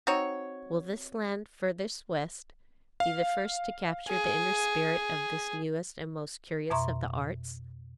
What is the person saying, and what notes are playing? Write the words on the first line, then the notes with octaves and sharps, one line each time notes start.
Will this land furthest west be the first to capture the inner spirit of this newest and most curious of the arts?
C4 D#4 F#4 C#5
F5
G#4
F2 B2 E5 A#5 C6 C#6